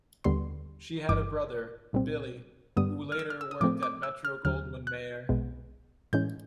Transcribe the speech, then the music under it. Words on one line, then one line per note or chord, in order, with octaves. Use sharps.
She had a brother, Billy, who later worked at Metro-Goldwyn-Mayer.
D#2 D3 G3 B3 C6
G1 G2 E3 D6
C2 A#2 G3 C4
G2 D3 G3 B3 D#6
F6
E6
F6
E6
D#6
A2 F3 A3 C4 D6
D6
E6
F6
D#2 D3 F#3 F6
F#6
B1 B2 G#3 B3
A2 E3 G#3 C#4 G6